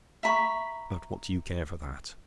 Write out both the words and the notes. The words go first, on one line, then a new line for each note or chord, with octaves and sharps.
But what do you care for that?
E5 A#5 B5 C#6